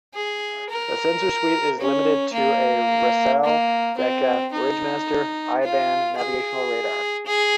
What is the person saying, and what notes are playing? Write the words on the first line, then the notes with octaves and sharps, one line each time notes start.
The sensor suite is limited to a Racel Decca Bridgemaster I-band navigational radar.
G#4
A#4
C#4
A#3
A#3
C4
D#4
F4
G#4
G#4